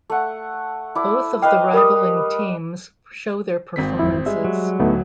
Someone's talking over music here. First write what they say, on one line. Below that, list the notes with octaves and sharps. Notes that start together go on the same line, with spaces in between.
Both of the rivaling teams show their performances.
A3 F#5
E4 D5
B4 D#5 F5 G5
G3 A#4 D#6
G#1 C4 B6
F2 E4
G3 G#3 E5
F#3
D1 A2 A3 B3 D#4